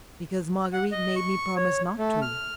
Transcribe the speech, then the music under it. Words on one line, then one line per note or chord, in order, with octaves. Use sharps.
"Because Marguerite made me promise not to."
F#5
D#5
C#6
C#5
A3
F6